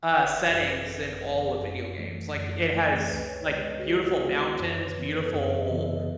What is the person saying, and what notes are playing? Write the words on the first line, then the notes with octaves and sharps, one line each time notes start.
uh, settings in all of video games, like, it has, like, beautiful mountains, beautiful
G#1 B4
F#2 E3 B3 B4
G#4
G#1 A4
B4
F#2 E3 B3
A4
F#2
E3 A3
F#2
E3 A3
C#2 B4
C#5
C#3 G#3 B3 D#5
D#5
F#4
C#2 G#4
E4
F#4
C#3 G#3 B3
F#4
F#2 C#5
B4
C#3 E3 B3
A4
B4
A4
F#2 G#4
D#5
C#3 E3 B3
E5
D#5